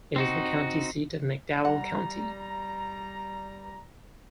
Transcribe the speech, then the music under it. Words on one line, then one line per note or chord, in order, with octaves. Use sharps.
It is the county seat of McDowell County.
C4 D#4 F#4
G3 F#5 A#5